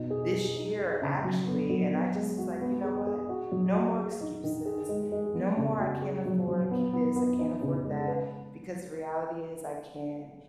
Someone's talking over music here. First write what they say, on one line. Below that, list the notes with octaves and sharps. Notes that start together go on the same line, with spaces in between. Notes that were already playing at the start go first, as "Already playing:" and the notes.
this year actually, and I just was like, you know what? No more excuses, no more, "I can't afford this, I can't afford that," because the reality is I can.
Already playing: B2 D#4
G#4
G#4
D#4
G#4
C#3
F#3
B3
F#3
B3
G#3
F#4
B3
G#4
G#4
F#4
F#3
F#4
G#4
D#4
D#3
G#4
G#3
G#3
B3
C#3
F#4
G#4
F#3
F#3
B3
B3
B3
D#4
C#3
G#3
B4